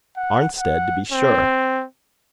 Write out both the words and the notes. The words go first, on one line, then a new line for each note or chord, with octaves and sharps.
"Arnstead, to be sure."
F#5
F#5
C4